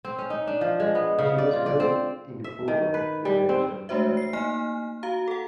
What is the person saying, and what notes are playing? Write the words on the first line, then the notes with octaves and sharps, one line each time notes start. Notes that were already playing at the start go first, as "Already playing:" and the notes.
She was held in the Pudong Detention Center.
C4
C#4
D#4
D4
F3
G#3
B3
C#3
D5
F4
D5
C4
E5
D#3
B4
G3
C4
G#3 A3 D4 F#4 C5 E5
C7
A#3 D#4 G#5 F6
F#4 F5 A#5
A4 F#5